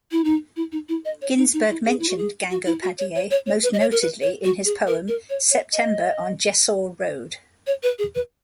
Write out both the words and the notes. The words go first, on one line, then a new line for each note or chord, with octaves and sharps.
Ginsberg mentioned Gangopadhyay most notedly in his poem September on Jessore Road.
E4
D#4
E4
D#4
E4
D#5
C#5
D#4
D#4
E4
G#4
E4
F#4
G#4
F#4
E4
F#4
C#5
C#5
C#5
C#5
B4
D#5
C#5
A#4
B4
C#5
F#4
G#4
A#4
A#4
C#5
C#5
D#5
C#5
B4
G#4
B4